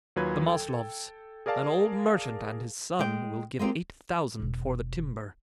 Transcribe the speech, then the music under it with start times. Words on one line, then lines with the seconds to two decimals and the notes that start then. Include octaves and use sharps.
The Maslovs, an old merchant and his son, will give eight thousand for the timber.
0.16 D#2 F#3 F4 B4 G#6
0.46 A4 G5
1.46 G#4 A#4 D5 F5 A5
2.99 G#3 G5
3.59 G#3 A#3 C4 F4 G4
4.40 E1 B2